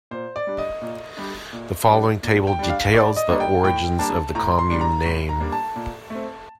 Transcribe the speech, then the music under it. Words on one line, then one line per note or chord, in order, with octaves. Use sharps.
The following table details the origins of the commune name.
A#2 C5
D5
G3 D4
D#5
A#2
G3 D4
A#2
G3 D4
A#2
G5
G3 D4
F5
A2 D5
D#5
G3 A#3 D4
G5
A2 G5
G3 A#3 D4 A5
A2 A#5
C6
G3 A#3 D4
A#5
A2
A#5
G3 A#3 D4
A5
A#2
A3 C4